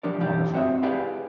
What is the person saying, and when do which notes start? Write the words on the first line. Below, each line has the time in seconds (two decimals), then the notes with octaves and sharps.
"on their phone
0.03 F3 G3 D4 A#4 D5
0.20 B1 E3 G3 G4 F5 G5
0.54 C4 F#4 D#5 E5
0.82 E4 G4 G#4 B4 D5 F5